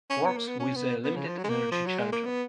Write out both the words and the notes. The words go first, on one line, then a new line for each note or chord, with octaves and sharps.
Works with a limited energy charger.
C#4
B3
A#3
B3
C#4
B3
B3
C#3
F3
F#3
G#3
A#3
F3
F#3
G#3
A#3
B3